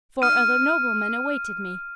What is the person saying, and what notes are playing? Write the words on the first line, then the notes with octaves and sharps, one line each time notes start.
Four other noblemen awaited me.
F6 D#7